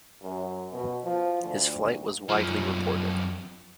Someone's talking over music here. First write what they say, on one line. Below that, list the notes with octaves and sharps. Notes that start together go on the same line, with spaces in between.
His flight was widely reported.
F#2
B2
F3
D2
F#2 F3